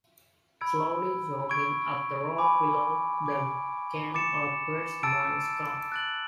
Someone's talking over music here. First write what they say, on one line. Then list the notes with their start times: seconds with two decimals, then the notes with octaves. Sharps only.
Slowly jogging up the road below them came a tradesman's cart.
0.61 B5 E6 G#6 D7
1.50 C#6 G#6 D7
2.38 G#5 B5 D6
3.26 D6 G#6 D7
4.14 D6 A6 C#7 E7
5.03 A5 E6 A6 D7
5.92 F#6 A6 D7 F#7